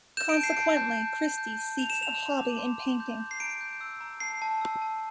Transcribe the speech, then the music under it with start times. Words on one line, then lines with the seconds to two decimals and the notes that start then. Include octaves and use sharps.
Consequently, Christy seeks a hobby in painting.
0.17 G6 E7
0.29 D7
0.37 A5
0.43 C7
0.57 A5 D7
0.77 G6
0.97 A5
1.18 G6
1.38 G6
1.59 A5
1.79 A5 F7
1.90 E7
1.98 A5 F7
2.18 A5
2.39 D6
2.59 C6
2.80 C6
3.00 G6
3.20 G6
3.31 C7
3.40 A#5 D7
3.61 G6
3.81 E6
4.01 A#5
4.20 A5 C7
4.42 A5
4.61 E6
4.82 A5